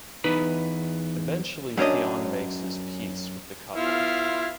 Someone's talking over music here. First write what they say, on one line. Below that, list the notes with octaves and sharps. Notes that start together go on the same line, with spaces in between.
Eventually Fionn makes his peace with the couple.
E2 D#4 B4 B5
F#2 C#4 D4 D#5
B3 E4 F4 F5